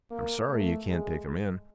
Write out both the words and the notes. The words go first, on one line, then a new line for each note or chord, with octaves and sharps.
I'm sorry you can't take him in.
A#3
A3
G#3